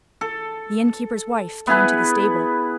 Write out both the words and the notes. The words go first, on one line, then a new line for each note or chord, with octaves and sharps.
The inn-keeper's wife came to the stable.
A4
B3 E4 G#4 B4